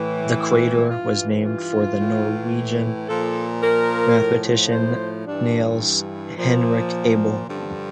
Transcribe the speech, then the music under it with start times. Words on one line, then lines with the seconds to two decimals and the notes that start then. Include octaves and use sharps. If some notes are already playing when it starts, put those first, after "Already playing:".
The crater was named for the Norwegian mathematician Niels Henrik Abel.
Already playing: A2 E3
0.89 G2 E3 F4
1.44 F4
1.99 A2 E3
3.08 A#2 F3 A4
3.63 A#4
4.18 A2 F3
4.72 C5
5.26 G2 E3 D4
6.37 A#2 F3
7.45 G2 D3 F3